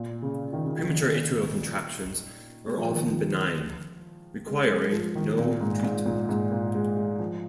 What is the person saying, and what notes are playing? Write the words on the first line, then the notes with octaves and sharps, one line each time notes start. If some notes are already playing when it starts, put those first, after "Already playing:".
Premature atrial contractions are often benign, requiring no treatment.
Already playing: A#2
C#3
D#3
C#3
D#3
G#3
F3
D#3
F3
G#3
G#3
F3
D#3
A#2
G#2
G#2
A#2
G#2
A#2
G#3
G#3
F3